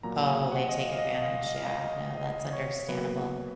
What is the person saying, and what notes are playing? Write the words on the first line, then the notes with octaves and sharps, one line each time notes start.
Oh, they take advantage, yeah, no, that's understandable.
A#2 F#3 A#3 A#5
G#5
F#5
D#5
F5
F5
D#5
F5
D#5
F5
D#5
D#5
C#5
B2 F#3 A#3 B4